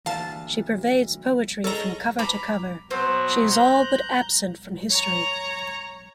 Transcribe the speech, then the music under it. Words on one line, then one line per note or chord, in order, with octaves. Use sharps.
She pervades poetry from cover to cover; she is all but absent from history.
D2 E3 A#3 F5 A5
G#3 C#4 A4 C#5 A#5
A#5 B5 D6
B2 F#3 C4 C5
A#5 F#6 G6
C#5 A#5